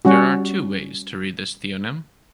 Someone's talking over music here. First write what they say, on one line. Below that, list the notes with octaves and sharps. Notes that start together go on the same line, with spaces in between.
There are two ways to read this theonym.
G3 C#4 F#4